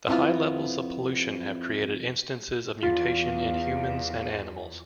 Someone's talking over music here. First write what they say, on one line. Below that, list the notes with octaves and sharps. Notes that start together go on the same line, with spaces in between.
The high levels of pollution have created instances of mutation in humans and animals.
F2 B3 C4 E4 F4
E2 F4 F5